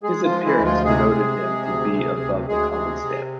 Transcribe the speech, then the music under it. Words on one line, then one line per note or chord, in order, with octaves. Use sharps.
His appearance denoted him to be above the Common Stamp.
G#3 G#4
F3 F4
G#3
E3 E4
D2
F3 F4
C3 G#3 G#4
G#3
C3
D2
C3
D2
D2 G#3 G#4
C3
C3